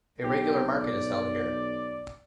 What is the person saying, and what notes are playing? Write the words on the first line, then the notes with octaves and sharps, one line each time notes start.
A regular market is held here.
B1 G4
D5